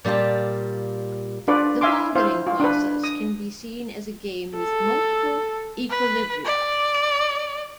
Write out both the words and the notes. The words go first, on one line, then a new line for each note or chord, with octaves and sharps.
The bargaining process can be seen as a game with multiple equilibria.
A#2 G3 F4 G4 A5
D4 F4 B4 D5
E5 F5 G#5 C6 D6
E4 C5 F5
F4
D4 B4
D#6
A4
B4
D5